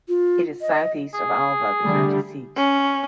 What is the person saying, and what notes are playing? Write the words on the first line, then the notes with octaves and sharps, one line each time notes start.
It is southeast of Alva, the county seat.
F4
D#5
G#4
D3 G3 A3
C#4